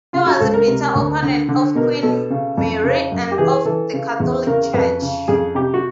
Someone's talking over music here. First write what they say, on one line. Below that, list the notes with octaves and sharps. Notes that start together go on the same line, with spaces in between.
He was a bitter opponent of Queen Mary and of the Catholic Church.
C#3 F4
F#4
C#2 A4
A#4
C3
D2
D3
D3
B2 A#4
B2 A4
C#3
F2
C#3
F#2
G4
E3 G#4
E3 A4
C#3
E2
C#3 A#4
F2 B4
C#3
F2 G#4
C3 G4
F#4